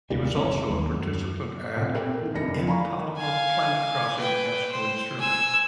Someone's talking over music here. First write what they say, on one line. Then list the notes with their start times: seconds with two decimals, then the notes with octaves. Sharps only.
He was also a participant at in Palomar Planet-Crossing Asteroid Survey.
0.10 D#1 C#2 A#2 G3
0.34 F#1 C#3 C#4
0.69 D#2
0.91 F#2
1.76 B1 A#2 C4
1.94 A#3 C4 G4 A4 A#4
2.21 D#3 E3
2.34 F1 G2 G3 A#3 A#6 C#7
2.66 D5 F5 G#5 A#5 B5 C#6
3.16 F5 G#5
4.16 B4 G5
4.72 C5
5.19 G#5 E6